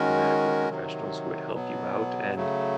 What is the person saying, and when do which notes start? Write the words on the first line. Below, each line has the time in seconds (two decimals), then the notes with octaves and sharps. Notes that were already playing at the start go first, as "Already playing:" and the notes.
medical professionals who would help you out, and
Already playing: D#3 G#3 C#4 F#4 A#4
0.70 C3 D#3 F#3
1.52 B2 F#3 B3
2.35 C#3 F#3 A3